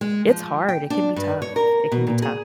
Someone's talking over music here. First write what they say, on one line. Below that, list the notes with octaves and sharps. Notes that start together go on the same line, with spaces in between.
It's hard, it can be tough, it can be tough.
G#3
F3
G5
D4
G2
C#5
A#4
B2
A#2
G#4